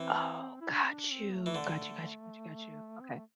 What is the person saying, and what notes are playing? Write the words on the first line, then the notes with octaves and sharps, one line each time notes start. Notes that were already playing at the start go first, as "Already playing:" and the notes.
Oh, got you. Got you, got you, got you, got you. Okay.
Already playing: E3 C4
E4
D4
C4
D4
C4
A3
E3
D3
C4
B3
A3